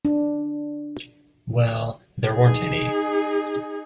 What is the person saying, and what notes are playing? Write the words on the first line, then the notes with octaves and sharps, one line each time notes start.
Well — there weren't any.
D4
D#4 G#4